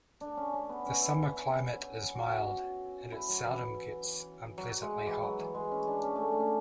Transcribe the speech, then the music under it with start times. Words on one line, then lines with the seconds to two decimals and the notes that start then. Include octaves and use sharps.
The summer climate is mild, and it seldom gets unpleasantly hot.
0.21 D4
0.37 C#4
0.54 C#4
0.69 B3
0.86 C#4
1.02 E4
2.15 F#4
3.12 E4
3.28 F#3
3.45 E3
4.58 F#3
4.70 F#3
4.82 G#3
5.06 E3
5.22 F#3
5.39 E3
5.55 G#3
5.71 C#4
5.88 D4
6.04 C#4
6.16 A3
6.32 D4
6.40 C#4